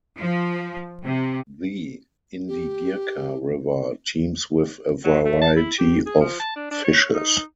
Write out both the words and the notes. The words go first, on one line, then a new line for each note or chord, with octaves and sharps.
The Indigirka River teems with a variety of fishes.
F3
C3
G4
F#3
A3
A5
E4
G4
G#4
F3
A5
D4
D4
C#5
D#4